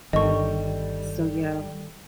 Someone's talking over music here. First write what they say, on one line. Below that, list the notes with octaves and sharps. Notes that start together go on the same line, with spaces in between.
so yeah.
G1 D#3 G3 A4 D#5 C#6